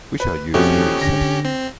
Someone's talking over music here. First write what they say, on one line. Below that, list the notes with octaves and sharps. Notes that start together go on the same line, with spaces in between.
We shall use the recess.
B4
F2 B2 F3 A3 C#4 G4
D3 A#6
C4